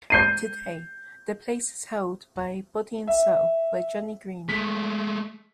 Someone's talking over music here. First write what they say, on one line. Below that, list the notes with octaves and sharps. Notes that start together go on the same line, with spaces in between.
Today, the place is held by "Body and Soul" by Johnny Green.
G6 C7 D#7
E5
G#3 A3 B6